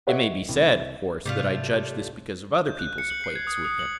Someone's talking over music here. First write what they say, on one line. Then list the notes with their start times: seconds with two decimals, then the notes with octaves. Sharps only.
It may be said, of course, that I judge this because of other people's acquaintance with him.
0.07 G4 B4 C#5 D#5 E5 F#5
0.48 C2
1.25 G#2 C3 G3 A3 F4
2.66 G6
2.79 F#6
2.98 C#7
3.10 F#7
3.24 C7
3.36 G#6
3.47 D#6
3.65 D#6
3.79 F#7